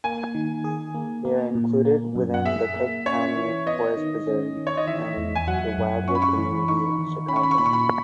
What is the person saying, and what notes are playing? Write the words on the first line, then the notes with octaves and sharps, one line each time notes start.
They are included within the Cook County Forest Preserve and Wildwood community of Chicago.
A#3 G#5
D#3
G#4
A#3
A#3
A#2
A#3
F#2
F#5
G#4 E5
A#3
C#4 C#5
E3
B3 D#5
D#3
C#4
D#3
C#5
D#5
E3 E5
E2
G#5
F#3 F#5
F#2
C#4 C#6
B5
C#6
E3
D#4 C#6
D#3
C#4 B5
C#6
B5
C#6
A#2 B5
C#6
B5